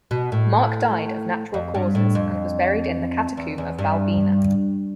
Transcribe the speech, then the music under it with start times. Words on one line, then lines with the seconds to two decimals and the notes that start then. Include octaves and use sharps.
Mark died of natural causes and was buried in the catacomb of Balbina.
0.11 B2
0.32 A2
1.54 F2
1.74 G2
1.95 A2
2.15 F2
3.37 E2
3.58 E2
3.79 G2